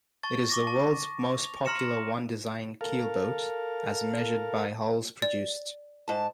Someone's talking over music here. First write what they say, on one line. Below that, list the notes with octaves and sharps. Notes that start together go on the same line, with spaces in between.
It is the world's most popular One-Design keelboat as measured by hulls produced.
A5 C#6 A6
C#6 D6 A#6
A5
F7
A#5 C6 F6 A#6 C#7 E7
A4 A#4 F5
D5
G#2 A5